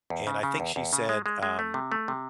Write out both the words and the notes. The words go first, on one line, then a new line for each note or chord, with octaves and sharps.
and I think she said, um
E2
C#3
C#3
E2
E2
C#3
G#3
G#3
G#3
A3
C3
A3
C3